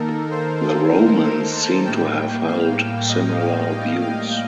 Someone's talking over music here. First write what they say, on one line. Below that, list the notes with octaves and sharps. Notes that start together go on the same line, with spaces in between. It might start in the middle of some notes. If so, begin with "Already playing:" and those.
The Romans seem to have held similar views.
Already playing: D#3 A#3 D#4 A4 A#4
C5
A4
A#4
A#4
A5
A2 G3 A#3 G5
F5
D#5
F5
G5
F5